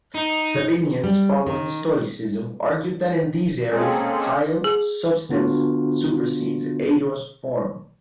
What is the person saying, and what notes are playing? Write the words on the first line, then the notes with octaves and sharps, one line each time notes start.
Sabinians, following Stoicism, argued that in these areas "hyle" 'substance' supersedes "eidos" 'form'.
D#4
G3
D#3
G#3 A#3 C4 C#4 G#4 A4
G#4
D3 B3 D4 F4 F#4